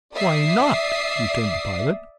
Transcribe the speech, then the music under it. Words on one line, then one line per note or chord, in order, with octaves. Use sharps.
"Why not?" returned the pilot.
D5 E5 D#6 C7